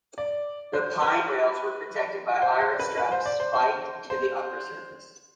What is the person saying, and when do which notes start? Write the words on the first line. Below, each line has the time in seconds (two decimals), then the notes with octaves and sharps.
The pine rails were protected by iron straps spiked to the upper surface.
0.18 D5
0.73 C5
1.02 B4
2.42 C5
2.60 C5
2.79 B4
2.98 B4
3.12 C5
3.26 D5
3.40 C5
3.54 C5
4.10 C5